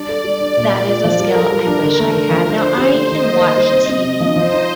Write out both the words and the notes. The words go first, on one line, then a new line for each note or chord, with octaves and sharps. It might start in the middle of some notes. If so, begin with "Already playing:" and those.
That is a skill I wish I had, now I can watch TV
Already playing: G3 D4 D5
A4
G3
D4
A#2
A#3
F4
F3
G3 A#4
A4
G3
D4
D3
A3
D3
F3
D3 C5
D4
G4
A3
D#3 D#5
A#3
D#3
G3
C3
C4
C3
F3
F3 C5
D#4